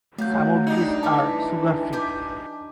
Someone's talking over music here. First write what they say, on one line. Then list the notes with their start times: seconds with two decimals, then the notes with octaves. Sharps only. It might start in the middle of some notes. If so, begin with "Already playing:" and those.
Some of these are sugar free.
0.18 F#3 A3 F5 F#6 G6
0.66 G3 D4 D#4
1.03 E3 E5 A5 D6 E6
1.93 G4 G#5 G6